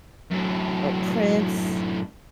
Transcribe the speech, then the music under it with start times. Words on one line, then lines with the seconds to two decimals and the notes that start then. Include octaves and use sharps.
or Prince,
0.31 F#2 A2